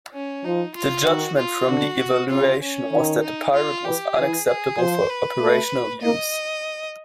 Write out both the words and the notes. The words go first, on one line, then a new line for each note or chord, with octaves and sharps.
The judgment from the evaluation was that the Pirate was unacceptable for operational use.
C#4
F3 D#4
F4
D#3 F#4
F4
D3 F#4
C#3 F4
C#4
D#3
D#4
F4
E3 G4
E3 G#4
G#4
F3 C5
B4
A3
A#3 D#5